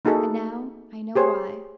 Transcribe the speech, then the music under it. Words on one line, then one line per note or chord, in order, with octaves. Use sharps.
And now I know why.
A#3 D#4 F#4 G#4 A4
G4 G#4 C5 C#5